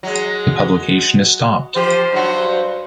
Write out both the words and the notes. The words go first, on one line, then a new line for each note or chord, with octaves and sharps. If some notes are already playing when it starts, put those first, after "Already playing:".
The publication is stopped.
F#3 G#3
F3 G4 C5
G2 F#3 F#4